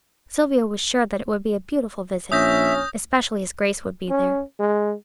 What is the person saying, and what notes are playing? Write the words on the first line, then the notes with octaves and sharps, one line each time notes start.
Sylvia was sure that it would be a beautiful visit, especially as Grace would be there.
A#1 C#4 E5 D#6 G6 A#6
C#4
G#3